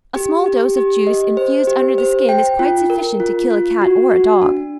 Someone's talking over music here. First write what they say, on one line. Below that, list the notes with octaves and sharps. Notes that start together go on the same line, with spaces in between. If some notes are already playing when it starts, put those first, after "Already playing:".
A small dose of juice infused under the skin is quite sufficient to kill a cat or a dog.
G4
G4
G4
D#5
C5
G4
C5
G5
F4
A#4
F4
F4
F#4
F#4
D4